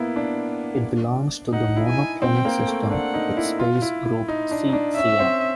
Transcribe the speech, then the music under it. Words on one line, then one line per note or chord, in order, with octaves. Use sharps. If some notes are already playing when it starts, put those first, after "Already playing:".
It belongs to the monoclinic system with space group C-Cm.
Already playing: A#3 B3 E4
D4
D#4 F#5
E4
G#5
C4 G5
A#3
A3
D4 F#5
D#4
E4
F4
E4
E4
D#4
D4
D#4
D4
C#4 E5
C4